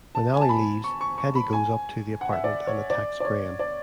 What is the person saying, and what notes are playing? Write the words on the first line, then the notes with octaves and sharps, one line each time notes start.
When Allie leaves, Hedy goes up to the apartment and attacks Graham.
A5
G#5
A5
B5
C#6
C#6
C#6
B5
G#5
F#5
E5
D5
C#5
D5
D5
C#5
D5